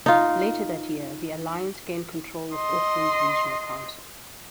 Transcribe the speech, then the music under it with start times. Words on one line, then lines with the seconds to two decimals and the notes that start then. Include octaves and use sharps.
Later that year, the Alliance gained control of Auckland's regional council.
0.06 D#4 F4
2.55 D#5 C6